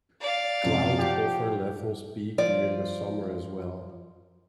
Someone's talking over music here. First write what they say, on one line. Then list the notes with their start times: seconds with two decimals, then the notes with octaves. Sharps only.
Cloud cover levels peak during the summer as well.
0.21 D5 F5
0.64 F#2 C3 F3
0.98 F3 G4 F#5
2.38 F3 D5